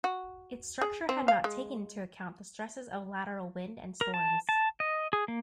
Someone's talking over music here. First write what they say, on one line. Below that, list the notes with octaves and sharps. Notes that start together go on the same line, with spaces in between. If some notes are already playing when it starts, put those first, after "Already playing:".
Its structure had not taken into account the stresses of lateral wind and storms.
F#4
G#4
C4
F5
G#3
A#4
A5
A5
D#5
G#4
A#3